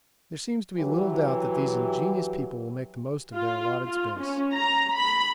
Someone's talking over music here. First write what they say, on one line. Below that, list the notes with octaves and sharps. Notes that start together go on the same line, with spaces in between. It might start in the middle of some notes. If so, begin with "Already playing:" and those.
There seems to be little doubt that these ingenious people will make the most of their allotted space.
E3 F#3 G4
F4
F4
C#4
A#5
B5